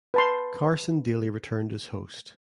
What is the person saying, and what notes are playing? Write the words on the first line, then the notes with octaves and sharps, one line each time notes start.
Carson Daly returned as host.
B4 A5 C6